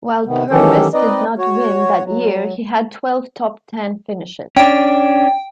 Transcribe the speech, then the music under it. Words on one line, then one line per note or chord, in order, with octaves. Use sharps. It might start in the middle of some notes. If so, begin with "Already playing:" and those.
While Purvis did not win that year, he had twelve top-ten finishes.
C3 D#3 B3
D#3 E3 F#3 C#4 G4 A4
C4 D#4 B4 D5 D#5
F#4 C#5
F#3
C#4 D4 G5